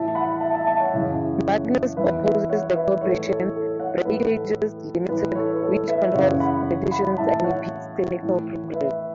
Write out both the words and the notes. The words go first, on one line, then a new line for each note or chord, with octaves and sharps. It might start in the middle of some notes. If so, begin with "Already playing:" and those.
Magnus opposes the corporation "Breakages, Limited", which controls politicians and impedes technical progress.
Already playing: A2 E3 E5 A5
F#5 B5
E5 A5
E5 A5
E5 A5
C#5 F#5
F#2 C#3 E3
E2 E3 B4 E5
B4 E5
C#5 F#5
B4 E5
A2 E3 A4 C#5
A4 C#5
A4
C#5 F#5
A2 E3 B4
A4
A2 E3 B4
A4 C#5
B4
A4 C#5
B4 E5
F#2 C#3 E3 C#5 F#5
F#5 B5
F#5 B5
A2 E3 E5 A5
C#5 F#5
A2 E3
B4 E5